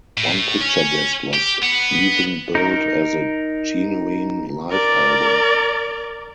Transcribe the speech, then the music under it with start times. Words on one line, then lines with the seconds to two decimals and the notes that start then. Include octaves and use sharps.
One picture disc was even billed as a genuine live album.
0.17 A2
0.60 C#4
1.33 G4
1.62 B3
2.55 D#4 A#4
4.71 A#4 D5